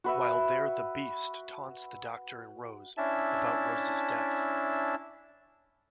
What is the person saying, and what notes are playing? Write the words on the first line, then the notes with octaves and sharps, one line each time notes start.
While there The Beast taunts the Doctor and Rose about Rose's death.
F#4 B4 E5
C#4 D4 E4 E5 A5